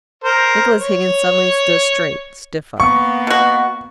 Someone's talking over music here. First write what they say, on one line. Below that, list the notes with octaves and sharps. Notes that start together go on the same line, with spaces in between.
Nicholas Higgins suddenly stood straight, stiff up.
A#4 C5
C#5
A#3 B3 C#6
B2 F#4